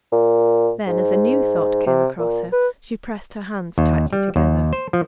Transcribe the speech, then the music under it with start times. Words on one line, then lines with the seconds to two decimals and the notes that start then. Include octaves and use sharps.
Then, as a new thought came across her, she pressed her hands tightly together.
0.12 A#2
0.87 G#2
1.87 C3
2.19 A#2
2.52 B4
3.78 D#2
4.13 G3
4.36 D#2
4.73 C5
4.93 F3